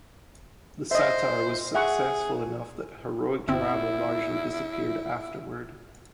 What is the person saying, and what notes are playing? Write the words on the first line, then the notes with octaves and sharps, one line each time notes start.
The satire was successful enough that heroic drama largely disappeared afterward.
C5 D#5 E5
G#4 E5 F#5 C#6
G1 C4 E4